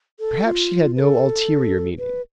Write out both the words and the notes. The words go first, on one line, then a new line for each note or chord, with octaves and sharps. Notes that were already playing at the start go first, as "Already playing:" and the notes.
Perhaps she had no ulterior meaning.
A4
F4
B4
A4
B4